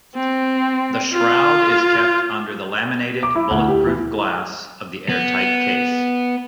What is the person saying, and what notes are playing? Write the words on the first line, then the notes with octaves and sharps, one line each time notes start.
The shroud is kept under the laminated bulletproof glass of the airtight case.
C4
F4
D6
E4
D2
G4
E3
B3